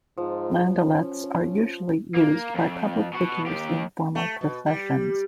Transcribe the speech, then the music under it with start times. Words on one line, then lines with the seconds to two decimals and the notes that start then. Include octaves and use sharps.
Landaulets are usually used by public figures in formal processions.
0.17 G#2 F3
0.82 C#4
2.15 A#3
2.54 F2
3.13 B2 F#4
3.46 D#2 G4
4.15 A3
4.41 B2
4.66 G3